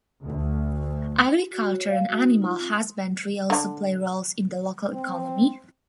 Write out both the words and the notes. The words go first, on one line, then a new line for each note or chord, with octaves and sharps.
Agriculture and animal husbandry also play roles in the local economy.
D2
F#4
C#5
F5
F#4
D#4
F4
C4
D3
C4